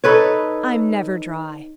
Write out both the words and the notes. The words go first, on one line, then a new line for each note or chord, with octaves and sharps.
I'm never dry.
D#4 A4 B4 C#5